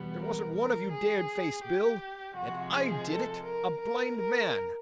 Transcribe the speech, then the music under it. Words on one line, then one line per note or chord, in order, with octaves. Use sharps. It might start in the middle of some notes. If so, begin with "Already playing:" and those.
There wasn't one of you dared face Bill, and I did it--a blind man!
Already playing: E2 B2 G3 B3
A#4
A#4
G#4
G4
C3 F3 G#3 F#4
G#4
A4
A#4
A#4
A#4